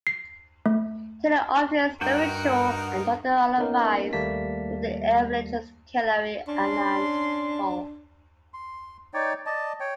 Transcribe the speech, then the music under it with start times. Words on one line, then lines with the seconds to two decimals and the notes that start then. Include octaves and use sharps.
Taylor obtained spiritual and other advice from the evangelist Kilari Anand Paul.
0.07 C7
0.66 A3
2.01 G2 D#4 F#4 A#4 F#5 G5
3.58 A#3 B3 C#4 D#4 A#4
4.13 D#2 G3 A3 A#3 A5 B6
6.47 C#4 D4 C6
8.54 C6
9.14 D#4 C#5 D5 G5
9.46 D5 D#5 A5
9.80 C#5 G5